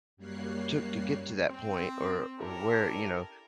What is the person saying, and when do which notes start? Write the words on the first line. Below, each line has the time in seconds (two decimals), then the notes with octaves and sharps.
took to get to that point or or where, you know
0.17 F#2 G3 A#3 C#5 F#6 C7
1.48 C4
2.39 C#4 D4 E4 G4 A4 A#4